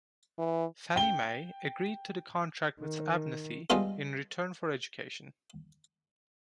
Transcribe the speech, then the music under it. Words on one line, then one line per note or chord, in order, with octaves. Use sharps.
Fannie Mae agreed to the contract with Abnethe in return for education.
E3
G5 G7
D#3
G3 G#3 B3 D#4 F4 A4